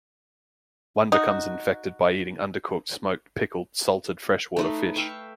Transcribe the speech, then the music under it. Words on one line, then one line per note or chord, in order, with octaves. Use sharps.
One becomes infected by eating undercooked, smoked, pickled salted freshwater fish.
D#4 F#4
A3 D#4 B4
E5 F5 G5 C#6